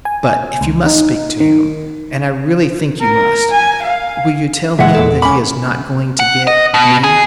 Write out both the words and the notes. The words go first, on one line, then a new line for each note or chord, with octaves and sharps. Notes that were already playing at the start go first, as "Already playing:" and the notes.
But--if you must speak to him--and I really think you must!--will you tell him that he is not going to get--me?
G#5
C#2
D#4
D#3
A#4
G#5
F5
D2 A#2 E3 G#3 E5 F#5
E1 A#2 A4
C#4 G#5 B5 D6
F#5
D#5
B2
G#4